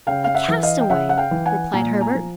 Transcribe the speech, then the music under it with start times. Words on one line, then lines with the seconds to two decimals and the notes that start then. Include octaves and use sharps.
"A castaway!" replied Herbert.
0.07 C#3 F5 G5
0.24 F5
0.35 E5 F#5
0.48 E3
0.63 D#5 F5
0.81 G5
0.90 C#3 E5 F#5
1.09 F#5
1.18 F5 G5
1.31 E3
1.46 F#5 G#5
1.73 A#2 G#5 A#5
2.01 G#5 A#5
2.15 F3